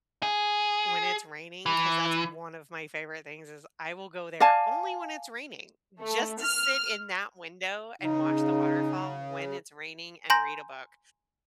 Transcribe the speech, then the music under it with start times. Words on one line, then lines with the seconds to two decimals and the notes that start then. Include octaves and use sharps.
when it's raining 'cause that's one of my favorite things is I will go there only when it's raining just to sit in that window and watch the waterfall when it's raining and read a book
0.23 G#4
1.66 E3
4.40 D5 F5 G#5 A5
6.01 A3
6.42 F6
8.02 C#3 D#4
10.30 G#5 A#5 C6 G6 A#6